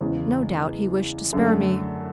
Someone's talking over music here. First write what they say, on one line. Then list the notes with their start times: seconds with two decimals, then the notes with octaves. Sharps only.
"No doubt he wished to spare me."
0.01 E2 C#3 G#3
1.33 F#2 D3 A3